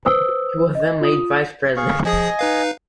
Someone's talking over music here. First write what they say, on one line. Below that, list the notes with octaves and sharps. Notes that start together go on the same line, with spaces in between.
He was then made vice president.
B4 C5 D#6 E6
D#5
F4 D#6
G#4 F5 C#6
F3 G#4 D#5 G#5 D#6
D#4 B4 F5